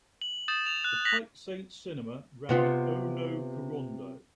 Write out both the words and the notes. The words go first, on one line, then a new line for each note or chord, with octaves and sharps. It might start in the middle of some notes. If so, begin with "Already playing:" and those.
The Pike Saint Cinema ran O No Corondo!
F#7
D#6 G6 A6 E7
F7
F#6
F#6 A#6 B6 F7 F#7
C3 B3 F4